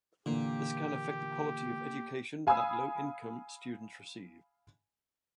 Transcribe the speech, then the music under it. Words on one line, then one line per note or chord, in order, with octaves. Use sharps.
This can affect the quality of education that low-income students receive.
A#2 D3 E3 G4
F5 G#5 B5 D#6 E6